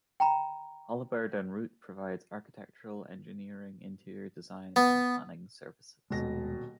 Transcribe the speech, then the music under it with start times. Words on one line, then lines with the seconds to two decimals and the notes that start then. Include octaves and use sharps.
Holabird and Root provides architectural, engineering, interior design, and planning services.
0.20 G5 A#5 B5
4.76 B3
6.10 D#1 D#2 B2 G#3 A#6